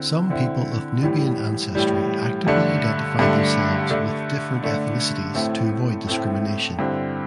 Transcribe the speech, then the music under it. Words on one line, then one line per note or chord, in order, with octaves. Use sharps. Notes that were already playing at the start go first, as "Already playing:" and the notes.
Some people of Nubian ancestry actively identify themselves with different ethnicities to avoid discrimination.
Already playing: D3 C4 E4
D3 C4 E4
A2 E3 G3
A2 E3 G3
G2 D3 A3 D4
G2 D3 A3 D4
D3 A3 D4
D3 A3 D4
A2 A3 C4 E4
A2 A3 C4 E4
G2 D3 C4 E4